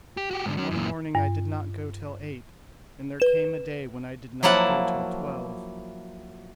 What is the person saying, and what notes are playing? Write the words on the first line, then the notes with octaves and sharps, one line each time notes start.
One morning I did not go till eight, and there came a day when I did not go till twelve.
G4
F#4 G4
G#2 D3
F#3 C#4
F#2 A#2
G2
B4 E7
F3 F#3 A#3 E4 F#5 A5